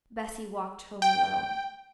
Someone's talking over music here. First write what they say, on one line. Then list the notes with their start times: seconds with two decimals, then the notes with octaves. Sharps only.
Bessy walked home alone.
1.02 G5